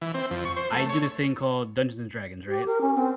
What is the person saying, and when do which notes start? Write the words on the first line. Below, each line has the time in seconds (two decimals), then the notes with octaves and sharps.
I do this thing called Dungeons and Dragons, right?
0.01 E3
0.14 C4
0.31 F2
0.45 C#6
0.56 C5
0.72 A3
0.89 C#5
2.48 G4
2.66 A#4
2.81 C#4
2.95 C4